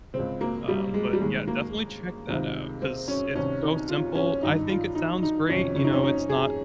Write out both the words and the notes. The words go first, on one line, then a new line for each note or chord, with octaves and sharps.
Um, but, yeah, definitely check that out 'cause it's so simple, I think it sounds great, you know, it's not
C#3 C4
C#2
A#3
G3
G#3
G3
D#2 D#3 G#3
A#3
C#2 C3 D#3
C4
C#4
C2 C3 D#3 C#4
D#4
F4
C#4
G2 D#3 D#4
F4
D#4
D#4
F2 C3 D#3 C#4
C#4
D#4
C#4
D#4
G#4